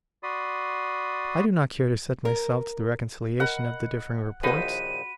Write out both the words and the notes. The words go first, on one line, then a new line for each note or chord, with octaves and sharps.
I do not care to set myself to the reconciliation of the differing reports.
F#4 D5 B5 C6 D#6
A#4
A#4 D#5 F#5 B5
A#1 D#2 D#4 F#4 C5 B5 D#7